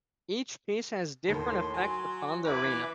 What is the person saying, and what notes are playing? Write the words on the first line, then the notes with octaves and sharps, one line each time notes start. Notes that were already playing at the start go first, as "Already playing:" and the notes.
Each Piece has differing effects upon the arena.
D#2 A2 D#3 C6
F#3 G#5
E2 E4 B4 D6
E3